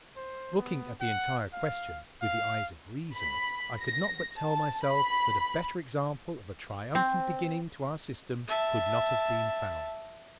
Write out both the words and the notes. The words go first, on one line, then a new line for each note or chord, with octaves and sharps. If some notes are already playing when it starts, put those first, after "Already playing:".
Looking at the entire question with the eyes of reason, I could not but tell myself that a better example of a triumphant beginning to our system could not have been found.
C5
B3
F#5
F5
F5
B5
A#6
A5
B5
C4
E5 A5